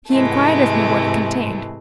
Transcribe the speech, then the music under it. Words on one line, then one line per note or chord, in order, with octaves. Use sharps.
He inquired of me what it contained.
G#2 C3 E3 G#3 A3